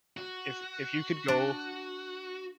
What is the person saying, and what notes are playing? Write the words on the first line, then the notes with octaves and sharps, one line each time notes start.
if if you could go
F#4
D4